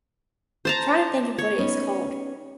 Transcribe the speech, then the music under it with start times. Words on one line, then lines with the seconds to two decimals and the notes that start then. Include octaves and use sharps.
trying to think of what it is called.
0.65 C5 A5 A#5
1.39 C#5
1.58 B3 C#4 D#4